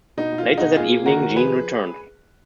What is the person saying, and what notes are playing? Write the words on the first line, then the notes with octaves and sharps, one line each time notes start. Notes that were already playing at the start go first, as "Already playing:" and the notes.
Later that evening, Jean returns.
B2 D#4
B2
F4
G#3
B2 D#4 F#4
A#3 F4 G#4
A#3
D#3 F#4 A#4
D#3
F3 G#4 B4